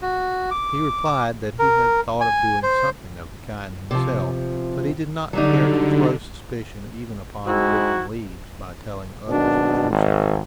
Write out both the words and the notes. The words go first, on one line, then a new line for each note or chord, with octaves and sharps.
He replied that he had thought of doing something of the kind himself; but he did not care to throw suspicion even upon Griffin Leeds by telling others the true story.
F#4
D6
A#4
G#5
C5
C3 F3
D3 F#3 G3 D#4
G#3 C4 D#4 E4 F#4
G#1 F#2 B2 D4
G#1